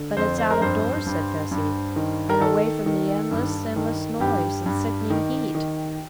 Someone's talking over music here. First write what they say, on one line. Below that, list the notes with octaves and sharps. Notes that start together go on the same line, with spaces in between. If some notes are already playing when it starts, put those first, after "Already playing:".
'But it's out of doors,' said Bessy. 'And away from the endless, endless noise, and sickening heat.'
Already playing: D3
F2 C5
C5
A#4
G2 C5
G2
G2
D#3
A#4
D#3 A4
D#3
G2
D#3
G2 G4
G2
D#3
D#3